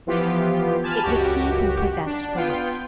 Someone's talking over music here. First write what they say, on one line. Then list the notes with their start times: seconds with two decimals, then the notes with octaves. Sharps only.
It was he who possessed the wit.
0.07 E3 F3 B3 F4 G4
0.83 G#5 A5 B5 F6
1.03 C#2 F#2 F#4 G4
2.06 D4
2.35 B3 F4 G5